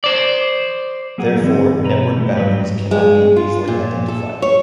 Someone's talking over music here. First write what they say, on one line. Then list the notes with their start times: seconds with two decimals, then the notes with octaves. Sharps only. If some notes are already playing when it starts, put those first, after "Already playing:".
Therefore, network boundaries cannot be easily identified.
0.04 C5 D5
1.18 F#3 A#3 G#4 F#5
1.41 D3 E3 C4
1.83 B2 B4 A#5
2.18 E3 A3
2.35 G#2 F#3 G3 B4
2.91 G#3
3.36 F4
3.68 A#2
4.08 A4
4.42 C#5